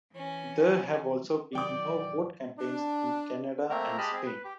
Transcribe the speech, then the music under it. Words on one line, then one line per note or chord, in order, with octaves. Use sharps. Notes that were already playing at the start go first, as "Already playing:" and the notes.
There have also been no vote campaigns in Canada and Spain.
E3 C#4
E1 D#3 F#3 D5 G5 D6
D4
A3 A#3 C4 A#4 A#5
G#3 G4 D#5 A5 B5 F6
C4 G#4
B4
G4